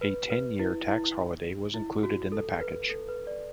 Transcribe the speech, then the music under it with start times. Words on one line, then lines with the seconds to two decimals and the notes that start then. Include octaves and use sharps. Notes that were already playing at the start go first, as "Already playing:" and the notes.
A ten-year tax holiday was included in the package.
0.01 B4
0.30 B4
0.59 E4
0.88 E4
1.74 E4
2.03 F#4
2.32 A4
2.61 B4
2.90 A4
3.09 B4
3.27 D5